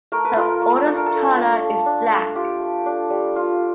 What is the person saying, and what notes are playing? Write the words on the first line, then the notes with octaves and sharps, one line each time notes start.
The Order's colour is black.
A3 A#4
B4
F4 A#4
A3
D4 A4
A#4
A4
A3
F4
A3
D4
A3
F4 G4
A3
D4
G3
F4